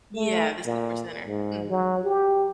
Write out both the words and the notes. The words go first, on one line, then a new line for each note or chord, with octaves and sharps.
Yeah, the Supercenter, mhm.
A3
A#2
G#2
F#3
G4